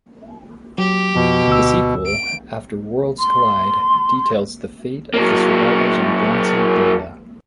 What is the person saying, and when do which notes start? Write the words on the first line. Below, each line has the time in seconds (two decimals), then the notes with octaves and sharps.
The sequel, "After Worlds Collide", details the fate of the survivors on Bronson Beta.
0.78 F#3 G4
1.15 F2 B2 F3
1.48 D2 E6
2.06 D7
3.19 C6
5.14 F#3 A#3